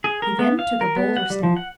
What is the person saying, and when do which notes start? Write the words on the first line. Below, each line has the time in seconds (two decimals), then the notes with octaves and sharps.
He then took a bolder step.
0.04 G#4
0.22 A#4
0.39 B3
0.59 F5
0.81 A#4
0.96 B3
1.17 F#5
1.30 G3
1.43 F3
1.57 F#5